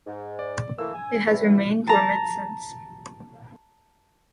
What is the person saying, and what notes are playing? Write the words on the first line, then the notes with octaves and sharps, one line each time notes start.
It has remained dormant since.
G#2
D5
E3 A3 A#3 E6
G#5
E2 E3 E4
A5 A#5